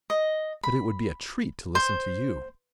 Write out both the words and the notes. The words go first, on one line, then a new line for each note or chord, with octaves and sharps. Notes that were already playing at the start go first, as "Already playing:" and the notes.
But it would be a treat to listen to you.
D#5
B5
C5